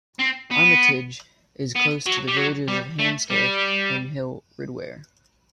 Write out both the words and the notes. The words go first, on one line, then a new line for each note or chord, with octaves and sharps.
Armitage is close to the villages of Handsacre and Hill Ridware.
C4
B3
B3
F#3
G3
F#3
G3
A3
G3